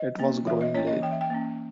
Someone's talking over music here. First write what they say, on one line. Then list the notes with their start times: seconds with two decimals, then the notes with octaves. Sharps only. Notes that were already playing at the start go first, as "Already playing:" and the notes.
It was growing late.
Already playing: D#5
0.19 A#3 C#4
0.47 E3 E5
0.61 D#5
0.75 A#3 C#4 C#5
0.87 D#5
1.02 E3 G5
1.11 E5
1.21 G5
1.30 A#3 C#4